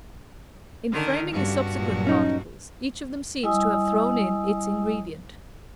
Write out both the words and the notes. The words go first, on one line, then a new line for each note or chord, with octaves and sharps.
In framing the subsequent articles, each of them seems to have thrown in its ingredient.
D3 D#3 A#4
G2 C#3 G3 F#4
A#2 F#3
C#4 D#4
G3 E4 D#5 G#5 D#6 E6